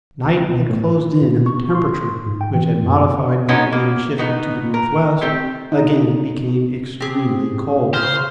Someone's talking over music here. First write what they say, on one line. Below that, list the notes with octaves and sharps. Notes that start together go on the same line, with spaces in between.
Night had closed in, and the temperature, which had modified when the wind shifted to the northwest, again became extremely cold.
C#2
B2
A2
B4
A#2
C#6
C6
G#2
G5
E3
F#2
C3
F#3 G#3 B3 C#4 D#4
A#3
B2 B3 D#4
A#4
A3 C4 G4
D#4
C4 G4 G#4
C#3 C5 F6